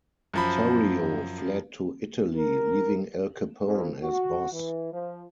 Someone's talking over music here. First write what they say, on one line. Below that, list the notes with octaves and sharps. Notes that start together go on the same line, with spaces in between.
Torrio fled to Italy, leaving Al Capone as boss.
F#2 F3 B5
A#4
F2
F#4
E3
F3